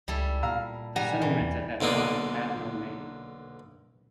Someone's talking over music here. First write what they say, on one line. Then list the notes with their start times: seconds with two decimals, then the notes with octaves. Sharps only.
The settlement at that time had no name.
0.08 C#2 G3 E4 A4
0.43 A#2 F5 A#5 E6
0.96 G3 F#5 G#5 A#5
1.22 E3
1.41 E2
1.81 B1 D3 A#3 B3 D4